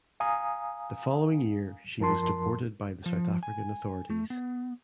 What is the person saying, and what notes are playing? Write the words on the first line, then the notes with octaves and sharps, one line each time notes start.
The following year she was deported by the South African authorities.
F5 G#5 A#5 D#6
F#2 F3 A#4 A5 C6
F3
G#5
A3
B3